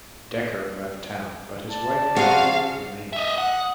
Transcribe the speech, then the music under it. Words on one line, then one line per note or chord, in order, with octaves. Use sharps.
Decker left town, but his wife, Dorothy, remained.
D5 A5
F3 F#4 G#4 F5
D#5 E5
D#6
F#5